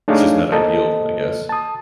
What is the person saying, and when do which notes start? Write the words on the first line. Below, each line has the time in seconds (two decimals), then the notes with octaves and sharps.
it's just not ideal, I guess.
0.08 A3 D4 D#4 G#4 C#5 F5
0.52 A#3 A4 C5 D#5 A5
1.49 A5 D#6